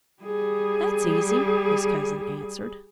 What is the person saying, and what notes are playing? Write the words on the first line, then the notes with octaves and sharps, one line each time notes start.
"That's easy," his cousin answered.
G3 G#4